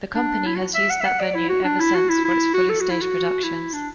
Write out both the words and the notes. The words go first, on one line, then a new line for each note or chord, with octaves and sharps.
The company has used that venue ever since for its fully staged productions.
D4
E4
F#4
E5
F#5
E5
F#5
D5
E4
F#4
D4
E4
F#4
E4
E4
F#4
A4
F#4
E4
F#4
E4
D4